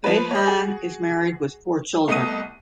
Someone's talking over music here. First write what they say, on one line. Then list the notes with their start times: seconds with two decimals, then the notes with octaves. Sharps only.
Behan is married with four children.
0.04 F3 B4
0.31 C#5 D#5
0.47 F#4 G#4
2.08 C2 A3 B3 D#5 D#6 D#7